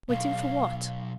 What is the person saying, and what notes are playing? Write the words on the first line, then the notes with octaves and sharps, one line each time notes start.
Waiting for what?
B1 F5